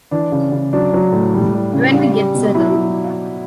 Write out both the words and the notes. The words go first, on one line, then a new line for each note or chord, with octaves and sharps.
When we get settled.
E3 D4
C#3
C#3
F#3 D4
F#3
A2
G3
G3
C#3
G3
G3
B2
F#3 E4
F#3